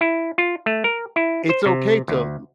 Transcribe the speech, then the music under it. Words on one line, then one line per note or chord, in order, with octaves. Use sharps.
it's okay to l
E4
F4
A3
A#4
E4
C5
C3
D2